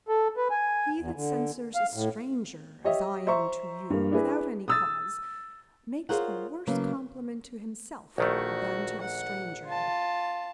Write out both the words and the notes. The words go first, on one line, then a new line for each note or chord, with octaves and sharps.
He that censures a stranger, as I am to you, without any cause, makes a worse compliment to himself than to the stranger.
A4
B4
G#5
E2
D3
F5
A2
G4 C#5 D#5 E5
C5 E5 A#5 C#6
G2 A#3
D4 E4 G#4 B4
D#6 E6 A6
F4 G#4 A#4 C5 C#5 F#5
C#3 F#3 A#3 B3
A#1 D#3 A3 F#4
F#5
F4 A5